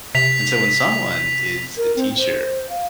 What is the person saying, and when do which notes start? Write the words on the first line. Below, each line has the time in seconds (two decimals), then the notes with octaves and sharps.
and so, when someone is a teacher,
0.15 C3 B6 F7
1.77 A#4
1.96 C4
2.18 C5
2.69 F5